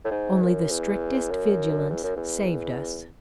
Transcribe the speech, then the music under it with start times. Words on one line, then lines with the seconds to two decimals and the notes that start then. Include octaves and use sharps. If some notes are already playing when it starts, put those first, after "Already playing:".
Only the strictest vigilance saved us.
0.05 A2
0.11 G#2
0.41 F#2
0.71 E2
1.31 F#2
1.90 E2
2.03 F#2
2.16 E2